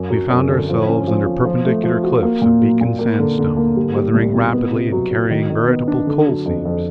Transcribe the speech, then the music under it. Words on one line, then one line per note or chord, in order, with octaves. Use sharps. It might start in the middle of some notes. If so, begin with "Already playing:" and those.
We found ourselves under perpendicular cliffs of Beacon sandstone, weathering rapidly and carrying veritable coal seams.
Already playing: F#2
F#3
F#2
D3
F3
C#4
F3
F3
F3
A3
F3
F#4
A#3
A#2
F#3
A#2
A#3
D3
D3
A#3
G3
G3
C2
B2
B3
C3
F#3
F#3
D#3
D#3
B3
D4
D3
F#3
F2
F2